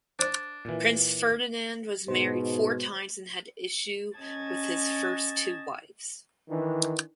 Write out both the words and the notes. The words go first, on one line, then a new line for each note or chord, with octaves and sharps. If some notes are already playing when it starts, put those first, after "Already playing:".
Prince Ferdinand was married four times and had issue with his first two wives.
D4 C5
A#2 E3
G#2 B2 C5
C#4 D#5 A5 G#6 A6
D#3 E3 D4